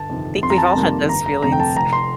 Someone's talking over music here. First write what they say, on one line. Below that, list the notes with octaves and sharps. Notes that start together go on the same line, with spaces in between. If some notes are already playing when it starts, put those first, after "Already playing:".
I think we've all had those feelings.
Already playing: G1 A5
F2 C3 D#3
F2 C6
A#5
A5
A#5
C3 D#3 G3 A#3
G1 A#5
A#5
F2 C3 F3 A3 A#5
G5
A5
F1 A#5
C6